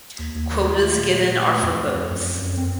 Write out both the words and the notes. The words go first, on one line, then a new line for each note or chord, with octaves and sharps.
Quotas given are for boats.
D#2
D#2
D#3
F4
A3
A#2
A#2
A#2
A3
F2
F2
F2
F#2
F#2
F#2
C4